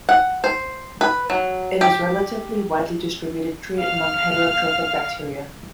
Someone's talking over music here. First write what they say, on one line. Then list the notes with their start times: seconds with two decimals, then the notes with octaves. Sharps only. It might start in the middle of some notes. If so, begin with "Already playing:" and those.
It is relatively widely distributed trait among heterotrophic bacteria.
0.09 F#5
0.44 C5
1.01 B4
1.30 F#3
1.81 G4
3.79 F5 F6